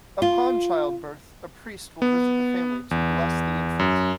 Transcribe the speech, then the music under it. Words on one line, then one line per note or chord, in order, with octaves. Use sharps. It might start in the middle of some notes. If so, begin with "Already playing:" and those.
Upon childbirth, a priest will visit the family to bless the infant.
F4
B3
E2
F#2